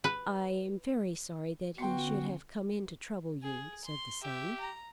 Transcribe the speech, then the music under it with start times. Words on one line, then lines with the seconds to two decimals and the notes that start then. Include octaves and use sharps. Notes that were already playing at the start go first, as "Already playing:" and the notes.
"I am very sorry that he should have come in to trouble you," said the son.
0.04 B4
1.78 D3 B3 C#4 F#4 G5 C6 C#7
3.43 G#4
3.85 C6
4.23 G4 E5
4.60 A#5